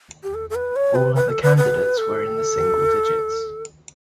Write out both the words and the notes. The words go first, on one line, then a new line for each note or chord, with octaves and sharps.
All other candidates were in the single digits.
G4
A4
A4
B4
C#5
B4
B4
A4
B4
B4
A4